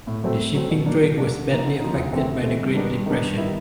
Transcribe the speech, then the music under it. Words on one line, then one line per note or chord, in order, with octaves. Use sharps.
The shipping trade was badly affected by the Great Depression.
A2
F#3 A3 C4
A2
F#3 A3 C4
B2
F#3 A#3 D4
B2
F#3 A#3 D4
D3
F3 A#3 D#4
D3
F3 A#3 D#4
D2
C3 E3 A3 C4
D2
C3 E3 A3 C4
G2
D#3 G#3 B3 D4
G2
D#3 G#3 B3 D4
G2
D#3 G3 B3 E4